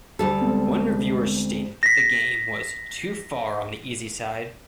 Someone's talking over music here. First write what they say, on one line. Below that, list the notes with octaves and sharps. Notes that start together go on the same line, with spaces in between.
One reviewer stated that the game was "too far on the easy side".
D2 G3 A4
G#3 B3 C4
A#6 B6